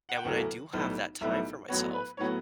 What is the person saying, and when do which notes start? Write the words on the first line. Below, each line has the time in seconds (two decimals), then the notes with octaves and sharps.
And when I do have that time for myself,
0.09 F#5
0.16 G5
0.24 E2 C#3 F#3 A3 F#5
0.73 B1 A2 G3 B3
1.21 B1 A2 G3 B3 E5
1.69 A1 A2 F#3 B3 C#5
1.94 B4
2.17 A2 F#3 B3 C#5